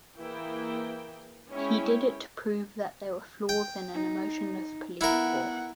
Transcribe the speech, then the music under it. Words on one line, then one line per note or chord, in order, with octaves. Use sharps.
He did it to prove that there were flaws in an emotionless police force.
E3 A#3 E4 G#4 G5
G#3 C#4 E4 C#5 G5
G5
D#4
B3 E4 A#4 F#5